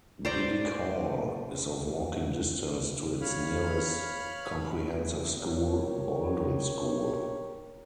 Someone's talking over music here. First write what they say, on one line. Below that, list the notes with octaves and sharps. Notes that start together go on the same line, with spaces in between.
Biddick Hall is of walking distance to its nearest 'Comprehensive School', Boldon School.
C5 D5 A#5
C#5 F5 B5 F6
G4 A#4 C#5